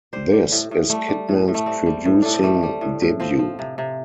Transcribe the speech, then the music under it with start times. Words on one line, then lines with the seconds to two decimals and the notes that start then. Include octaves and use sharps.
This is Kidman's producing debut.
0.13 G3 C5
0.33 G3
0.52 A2
0.71 A2
0.89 G3 A3
1.09 G3
1.29 A2
1.48 A2
1.54 A3
1.66 G3 C4
1.86 G3
2.05 A2
2.22 A2 D4
2.34 C4
2.43 G3 A3
2.63 G3
2.81 A2
3.02 A2
3.20 F3 C4
3.39 F3
3.59 C3
3.78 C3